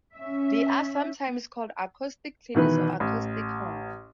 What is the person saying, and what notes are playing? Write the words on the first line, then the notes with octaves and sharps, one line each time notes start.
They are sometimes called acoustic cleaners or acoustic horns.
C#4 E5
B2 D#3 E3 B4
A1